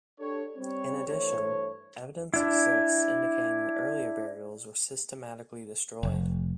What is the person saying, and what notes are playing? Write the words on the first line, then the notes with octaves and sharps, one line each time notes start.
In addition, evidence exists indicating that earlier burials were systematically destroyed.
D4 G4 A4 C#5
G3 C4 C#5
G2 E3 A3 C5 C#5
D4 E4
F1